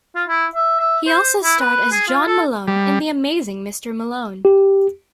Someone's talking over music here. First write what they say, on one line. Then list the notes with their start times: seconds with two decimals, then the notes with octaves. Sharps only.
He also starred as John Malone in "The Amazing Mr. Malone".
0.15 F4
0.28 E4
0.55 E5
0.80 E5
1.07 C5
1.44 E4
1.60 B4
1.92 G#4
2.08 F4
2.27 A4
2.67 G3
4.45 G4